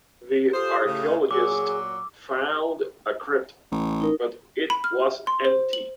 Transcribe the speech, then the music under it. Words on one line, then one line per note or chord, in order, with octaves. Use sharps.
The archaeologists found a crypt, but it was empty.
F4 G4 A4 C5 D#6
A2 C#3
A#2 F#3 G#4 G#5 D6 E6
A1
D#4 A#4
B5
F6
C6
C5
F#7